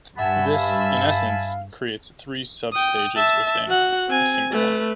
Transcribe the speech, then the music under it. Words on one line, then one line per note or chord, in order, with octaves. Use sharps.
This, in essence, creates three sub-stages within a single one.
G2 E5 F#5 G#5 A5 B5
F5
G5 D#6
E5 A5
F#4 F#5
C4 G#5
A3 B4